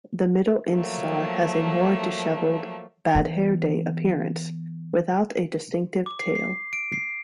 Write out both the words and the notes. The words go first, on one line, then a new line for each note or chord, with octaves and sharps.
The middle instar has a more disheveled, "bad-hair-day" appearance, without a distinctive tail.
F3 F#3 A3 A#3
E3 B3
D6
C7
C7
D7
C7